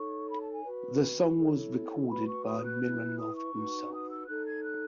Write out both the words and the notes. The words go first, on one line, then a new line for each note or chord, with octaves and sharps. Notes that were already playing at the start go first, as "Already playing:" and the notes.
The song was recorded by Mironov himself.
Already playing: D#4 A4 C#5 C#6
B5
A5
G#5
F#4 B4
E4 A4 C#5
F#4 B4 B5
C#6
D#6
F#6
E4 B4
D#6
C#6
D#4 F#4 B4
D#6
E6
D#4 A4 C#5 F#6
G#6
F#6